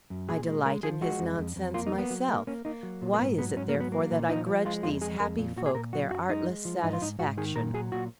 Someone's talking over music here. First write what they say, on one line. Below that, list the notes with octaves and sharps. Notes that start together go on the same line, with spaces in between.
I delight in his nonsense myself; why is it therefore that I grudge these happy folk their artless satisfaction?
F#2
A#2 G#4
G#3
G#3 A#4
F3 G#4
G#3 F#4
F2
F2
F2
A#3 F4
D#4
A#3
B3
F#3
A#3
A#3 C#4
A#3 D#4
F#3
A#2
A#3
G#2 B3
F#3 B3
G#2 C#4
A#3
F#3
B3
A#3
A#2
F3 D#4
F3
G#3 F4
F2 F4
G#3 G#4
F2 A#4
A#2
A#2 F#4
G#4
A#2 A#4
F#3 F#4
F#2 F#4
G#3 D#4
G#3
F3
G#2 D#4
F4
G#2 D#4
G#2 F#4
D#3 G#4
A#2 A#4
F#3 G#4
A#2 F#4